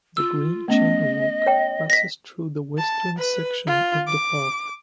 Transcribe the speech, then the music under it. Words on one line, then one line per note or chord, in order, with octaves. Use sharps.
The Green Chain Walk passes through the western section of the park.
F4 E6
A3 B3 C#4 D#5
C#5 G5
A#6 B6
A5
B4
F4
D6